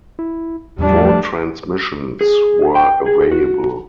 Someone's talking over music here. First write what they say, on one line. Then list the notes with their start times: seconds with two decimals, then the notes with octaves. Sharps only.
Four transmissions were available.
0.19 E4
0.79 E2 F3 G3 A3 D4
2.21 G#4
2.75 G5
3.06 G#4
3.31 F#4